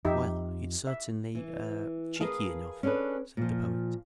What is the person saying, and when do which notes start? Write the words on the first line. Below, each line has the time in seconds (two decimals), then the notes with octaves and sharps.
"Well, it's certainly--er--cheeky enough," said the Poet.
0.05 F2 F3 D#4 G4 E5
0.87 E5
1.35 E3
2.20 G#4 A#4 B4 D#5 F5 A5
2.83 C#4 D4 G#4 A4 B4
3.37 A#2 F3